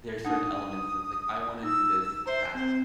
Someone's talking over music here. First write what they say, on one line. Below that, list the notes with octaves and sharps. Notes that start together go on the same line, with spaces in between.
there's certain elements, that's, like, "I wanna do this that way.
D4 D#4 F#5 D#6
D#4 F4 E6
C5 E5 A#5
C4 C5